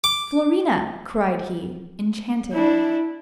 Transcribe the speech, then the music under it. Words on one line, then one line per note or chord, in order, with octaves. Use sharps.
"Florina!" cried he, enchanted.
D6
D4 E4